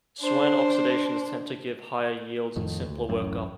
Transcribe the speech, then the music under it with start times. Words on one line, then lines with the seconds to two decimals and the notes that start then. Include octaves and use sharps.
Swern oxidations tend to give higher yields and simpler workup.
0.21 D4 C5
2.56 F2 A2 D#3
2.84 D2
3.09 D1 A1 F#2 A2